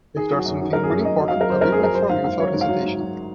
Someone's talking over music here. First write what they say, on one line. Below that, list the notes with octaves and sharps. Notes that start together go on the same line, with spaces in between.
If there is something really important, I will inform you without hesitation.
D#3 G#4
F#3
F#4
F#2
D#3 F#4
F#2 A#4
G#4
F#2
F#2 D#5
F#3
F5
F#3
A#4
F#2 C5
F#2 A#4
G#4
F#3 A#4
F#3 C5
G#2 F5
G#2 F5
F#3 C#5
G#2
F5
F#3
G#2
F#3